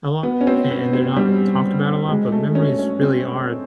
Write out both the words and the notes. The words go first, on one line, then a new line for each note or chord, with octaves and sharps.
a lot, and, they're not talked about a lot, but memories really are th
B3
C#4
C4
B3
C4
G3
G#3
A3
C#4
C#4
C4